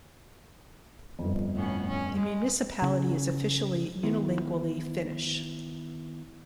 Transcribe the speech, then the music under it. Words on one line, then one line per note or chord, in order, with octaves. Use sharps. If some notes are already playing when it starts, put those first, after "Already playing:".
The municipality is officially unilingually Finnish.
G1 F2
A2 B3 C#4
C#4
G#3
C#3
D#3 B3 E4